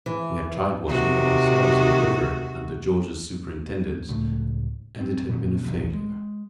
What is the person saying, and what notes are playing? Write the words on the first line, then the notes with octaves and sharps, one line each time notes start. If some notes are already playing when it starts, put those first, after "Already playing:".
We had tried washing them ourselves, in the river, under George's superintendence, and it had been a failure.
E3
C3 D#3 F#4
C#2 A2 A3
C4
D#1 A#2 D#3 F#3
A#1 E2
G#3